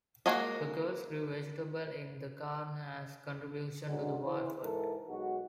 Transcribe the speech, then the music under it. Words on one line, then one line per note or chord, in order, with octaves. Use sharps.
The girls grew vegetables in the garden as a contribution to the war effort.
G#3 A#3 F#4 G#4 D#5
B1 D3 F#3 G#3
E2 C5
G#2 E3 A4 A#4
B1 G#3 F#4